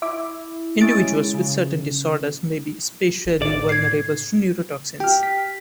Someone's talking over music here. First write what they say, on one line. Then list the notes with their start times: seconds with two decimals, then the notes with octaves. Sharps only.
Individuals with certain disorders may be especially vulnerable to neurotoxins.
0.02 E4 E5 D6
0.81 G#3 C#4 E4 A6 D7
1.33 C#3
3.25 A1
3.42 A2 D5
3.69 G#6 C7
5.00 G4 G5 F6
5.23 B6